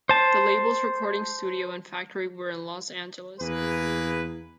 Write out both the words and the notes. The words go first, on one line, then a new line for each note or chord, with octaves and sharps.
The label's recording studio and factory were in Los Angeles.
C5 A5
E2 A#3 G#4 B4